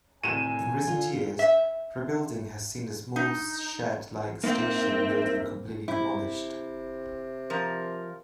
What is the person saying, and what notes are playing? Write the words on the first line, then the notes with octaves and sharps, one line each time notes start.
In recent years, rebuilding has seen the small shed-like station building completely demolished.
D2 A2 C3 D#3 G#5 D#7 E7
D3 F4
E5
D#4
A#3 C4 D#4 A#4 E5
C3 E4
F3 A#4